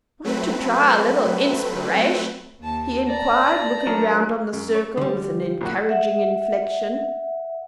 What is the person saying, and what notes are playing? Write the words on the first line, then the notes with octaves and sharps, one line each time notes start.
"Want to try a little inspiration?" he inquired, looking round on the circle with an encouraging inflexion.
F#3 A3 C4 B4
D#2 A5
D5 A5 A#5
F#3 D4 A#4
F#2
C#5
D3 G3
A#1 F#3 F#4
E5 F#5